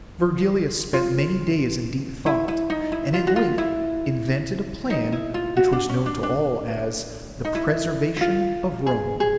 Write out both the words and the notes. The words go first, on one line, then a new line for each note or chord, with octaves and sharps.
Virgilius spent many days in deep thought, and at length invented a plan which was known to all as the 'Preservation of Rome.'
F4
E4
E4
D#4
E4
F4
F#4
F4
E4
D#4
E4
F4
F#4
D4
C#4
D4
D4
D#4
E4
E4
F4
G#4
G#4